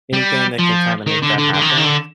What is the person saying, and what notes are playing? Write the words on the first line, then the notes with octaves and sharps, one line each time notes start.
anything that can kinda make that happen.
G3
F3
D#3
D3
D3
D3
D#3
D3
D#3
D3